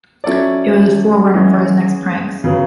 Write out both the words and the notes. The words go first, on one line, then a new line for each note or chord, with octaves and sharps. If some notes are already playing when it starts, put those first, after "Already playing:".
It was a forerunner for his next pranks.
F#3 C#4 E4 A4 D5
E3 G#3 C#4
C#3 F#3 B3